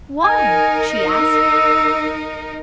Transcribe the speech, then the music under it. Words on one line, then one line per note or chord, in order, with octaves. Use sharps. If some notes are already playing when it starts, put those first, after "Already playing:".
"Why?" she asked.
D#4 A#4 G#5
E6